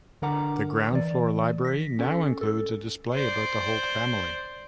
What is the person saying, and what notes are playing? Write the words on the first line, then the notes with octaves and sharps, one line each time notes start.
The ground floor library now includes a display about the Holt family.
D3 D4 A#4 F#5 A#5 D6
E3 D5
A#6 B6
C#4 A4
A4
C5 D5